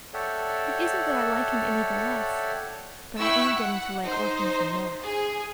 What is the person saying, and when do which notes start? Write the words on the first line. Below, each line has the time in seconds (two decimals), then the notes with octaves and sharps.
It isn't that I like him any the less, but I am getting to like orphans the more.
0.14 A4 C#5 D5 E5 F#5 G5
3.19 E4 G5 C#6 E6 F#6
3.57 F#5
4.05 D#4 C5
5.02 G#4